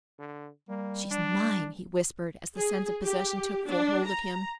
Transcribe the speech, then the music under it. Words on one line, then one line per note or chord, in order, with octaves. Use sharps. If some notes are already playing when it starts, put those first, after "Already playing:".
"She's mine," he whispered, as the sense of possession took full hold of him.
D3
G3 A#3
D4
G#4
G4
D4
A#5